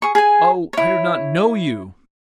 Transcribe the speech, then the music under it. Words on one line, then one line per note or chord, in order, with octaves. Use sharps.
"Oh, I do not know you!"
G#4 C#6
G#4 G#5
E4 C#5